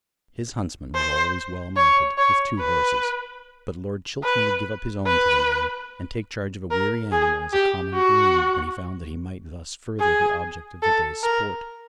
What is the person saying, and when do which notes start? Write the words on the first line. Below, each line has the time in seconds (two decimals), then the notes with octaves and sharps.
His huntsman was always well mounted, with two horses; but Lord Chiltern would give up his own to the man and take charge of a weary animal as a common groom when he found that he might thus further the object of the day's sport.
0.95 C5
1.76 C#5
2.18 C#5
2.59 B4
4.24 B4
5.06 B4
6.71 A#4
7.12 G#4
7.53 G4
7.94 F#4
10.00 G#4
10.82 A4
11.23 A#4